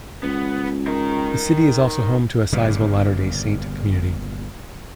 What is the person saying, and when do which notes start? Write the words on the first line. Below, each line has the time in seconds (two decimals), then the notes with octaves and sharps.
The city is also home to a sizable Latter-day Saint community.
0.23 C#2 B3
0.87 D#4 A#4
2.52 G1 G2 A#2 C#3